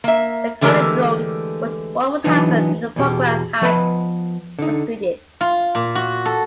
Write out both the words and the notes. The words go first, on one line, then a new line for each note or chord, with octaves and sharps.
The conundrum was what would happen if the program had succeeded.
A#3 E5
D3 E3 G#3 A3 G4 A#4
E3 F#3 B3 D4 D#4
E2 B2 G4
F3 B3 B4 D#5 A#5 B5
D3 D#4
F4
A#2
F#4
A4